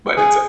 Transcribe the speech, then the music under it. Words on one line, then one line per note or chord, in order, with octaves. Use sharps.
But it's, uh
G#4